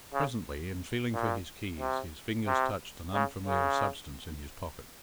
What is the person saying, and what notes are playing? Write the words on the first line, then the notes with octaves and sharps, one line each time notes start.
Presently, in feeling for his keys, his fingers touched an unfamiliar substance in his pocket.
C#3
A#2
C3
C3
C#3
C#3